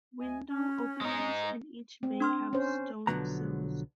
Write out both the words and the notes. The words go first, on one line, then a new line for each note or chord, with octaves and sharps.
Window openings in each bay have stone sills.
D2 D#5 G#5
C#4
G#3 D#4
C4
D4 C6 F6
C#4 C5
B1 D3 F3 F#3 B3 A#5